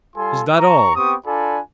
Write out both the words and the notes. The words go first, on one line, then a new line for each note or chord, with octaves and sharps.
"Is that all?"
G3 F4 A4 G#5 C6
A#5 C#6
B3 C4 G4 G5 C#6 D#6
D4 F4 A4 D5 G#5 B5